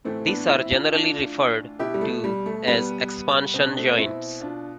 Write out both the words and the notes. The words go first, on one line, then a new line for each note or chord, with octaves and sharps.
These are generally referred to as expansion joints.
A2 E3 A3 C4
B3 D4
C4 E4
D4 F4
D4 F4
B2 E4 G4
G3
A3
G3
A3
G3 B3
B2 C4
D4
A3 C4
C4 E4
D4 F4